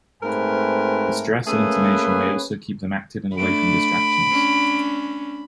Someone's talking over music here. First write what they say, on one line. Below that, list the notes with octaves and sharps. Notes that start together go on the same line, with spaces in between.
The stress and intonation may also keep them active and away from distractions.
G#2 A3 C4 A#4 B4 G#5
A3 A#3 C#4 G#4 B4
A3 D4 B5 D7
C#4 D4